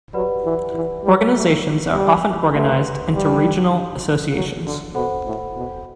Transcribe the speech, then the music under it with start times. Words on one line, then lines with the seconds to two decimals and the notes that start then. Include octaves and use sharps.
Organizations are often organized into regional associations.
0.13 F#3 G4 B4 D5 F#5 B5
0.44 E3
0.74 E3
1.04 G3
1.34 A3
1.94 G3
2.54 A3 G4 B4 F#5 C6
3.15 G3
4.35 F#3
4.65 D3
4.95 B2 A4 C5 F#5 B5
5.25 A2
5.56 B2